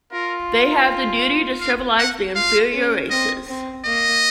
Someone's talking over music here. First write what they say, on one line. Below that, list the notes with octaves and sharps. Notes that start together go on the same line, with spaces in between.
They have the duty to civilize the inferior races.
F4 A#4
F5
F#5
F4 F5
C#4
C4 D#5
C4
A#3 D#5